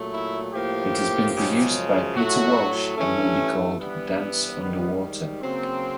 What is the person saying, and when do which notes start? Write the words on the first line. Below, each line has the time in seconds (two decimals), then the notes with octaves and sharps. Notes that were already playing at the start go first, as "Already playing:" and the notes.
It has been produced by Peter Walsh and will be called Dance Underwater.
Already playing: A#2 F#3 A3
0.12 E4
0.53 A2 F3 A#3 G4
1.35 F#2 C#3 F3 G#3
2.16 A2 F#3 A3 F#4
2.97 G2 E3 A3 C#4
3.79 G2 E3 G3 B3
4.60 G#2 D#3 G3
5.42 C#3 F#3 A#3 C4